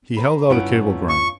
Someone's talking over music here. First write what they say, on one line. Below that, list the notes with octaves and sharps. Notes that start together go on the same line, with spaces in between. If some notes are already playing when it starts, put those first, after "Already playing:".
He held out a cablegram.
C5 G#5 A#5 B5
G1 C#4 E4 F4 F#5 D7
C#6